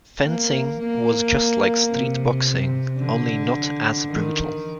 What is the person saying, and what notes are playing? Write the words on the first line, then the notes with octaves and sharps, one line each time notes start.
Fencing was just like street boxing, only not as brutal.
A#3
A#3
C3
D3
D#3